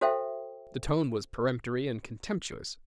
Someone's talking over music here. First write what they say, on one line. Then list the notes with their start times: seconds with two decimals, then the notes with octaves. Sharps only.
The tone was peremptory and contemptuous.
0.01 F#4 A4 C5 E5 F5 G5